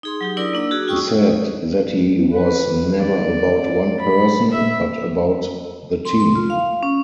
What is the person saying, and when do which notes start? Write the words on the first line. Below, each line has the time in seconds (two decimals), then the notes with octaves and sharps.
He said that he was never about one person, but about the team.
0.03 D#4 G#4 C6
0.21 F#3 D#4 G4
0.37 D4 E4 A#4 D5 D#6
0.53 A#3 D4 E6
0.71 F#4 G#4
0.88 F4 F#4 G5 C#6 D#6 E6
2.33 B4
3.00 D5
4.00 B5
4.51 E5
6.05 C6
6.20 C6
6.35 F4
6.50 F5
6.83 C#4